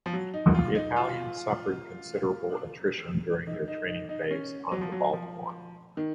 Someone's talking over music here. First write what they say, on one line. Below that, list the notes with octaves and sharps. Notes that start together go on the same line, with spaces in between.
The Italians suffered considerable attrition during their training phase on the Baltimore.
F3
F#3
D#4
F4
D#4
F4
D#4
D#4
D#4
D#4
C#4
F#3
F3
F#3
F3
D#3